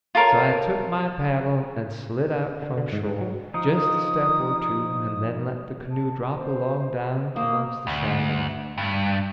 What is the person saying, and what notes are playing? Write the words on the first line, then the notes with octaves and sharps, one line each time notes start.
So I took my paddle and slid out from shore just a step or two, and then let the canoe drop along down amongst the shadows.
F4 A4 A#4 C#5
D3
D3
G#2
G#2
F#3
F3 D#4 D#6
A5
C5
A#3 C5 D#6
D2
G2